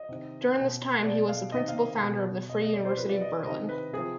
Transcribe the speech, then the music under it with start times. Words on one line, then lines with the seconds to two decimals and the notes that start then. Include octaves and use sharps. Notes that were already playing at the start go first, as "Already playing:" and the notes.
During this time, he was the principal founder of the Free University of Berlin.
Already playing: D#5
0.09 C3 D#3
0.57 B2
1.04 B2 D5
1.29 F5
1.52 C3 D#3 D#5
1.68 F5
2.00 B2
2.49 B2 D#5
2.62 D#5
2.74 D5
2.85 C5
2.97 C3 F3 B4
3.09 D5
3.21 D#5
3.45 C3 D#3 D#5
3.69 B4
3.93 C3 F3 G#4